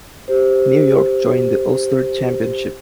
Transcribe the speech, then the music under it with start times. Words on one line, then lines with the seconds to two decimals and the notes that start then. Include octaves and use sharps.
New York joined the Ulster Championship.
0.28 G4 C5